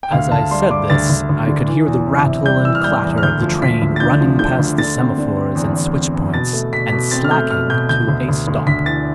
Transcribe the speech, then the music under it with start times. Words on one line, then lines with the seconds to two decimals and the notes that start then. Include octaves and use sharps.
As I said this I could hear the rattle and clatter of the train running past the semaphores and switch points and slacking to a stop.
0.03 G5
0.12 D2 F5
0.31 D2 A5
0.51 G3 C6
0.70 G3 D6
0.90 D2 A6
1.09 D2
1.29 D2
1.48 D3
1.68 E3
1.87 E2
2.07 C3
2.26 C3
2.45 G3 G6
2.65 E3 E6
2.75 F6
2.84 G3 G6
3.03 E2
3.18 F6
3.23 D2 G6
3.42 F3
3.62 D2 B6
3.82 D2
3.96 A6
4.00 D3 G6
4.20 F3
4.39 D3 G6
4.59 D2
4.78 D3 A6
4.98 C4
5.18 D3
5.37 C4
5.56 E2
5.76 E2
5.95 C4
6.14 E2
6.34 B2 A6
6.53 A3
6.73 B2 B6
6.88 B2 B6
7.11 C4 A6
7.24 F6
7.31 A3 G6
7.50 B2 F6
7.70 B2 G6
7.89 D2 G6
8.08 D2
8.29 D2
8.48 D2
8.67 D2 B6
8.86 E3 A6